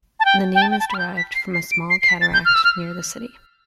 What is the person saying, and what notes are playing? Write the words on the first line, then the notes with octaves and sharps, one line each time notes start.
The name is derived from a small cataract near the city.
A5
G5
G5
A5
G5
A5
B5
F6
G6
B6
B6
C7
C7
D7
C7
C7
B6
A6
G6
F6
E6
F6